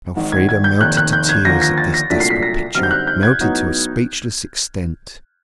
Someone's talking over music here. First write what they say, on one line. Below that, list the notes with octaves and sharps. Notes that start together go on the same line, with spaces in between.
Elfrida melted to tears at this desperate picture, melted to a speechless extent.
G#1 G#2 D#3
G#6
G#6
G6
F1 D#2 D#3 F#6
F#6
G6
G#6
D#2 D3 F3 A#3 A#6
A#6
A6
A#6
C2 A#2 F#3 A3 D4 B6
C7
B6
A#6
F#2 D3 G3 C4 D#4 F6
G6
F#6
G6
G#6
A2 F#3 B3 D#4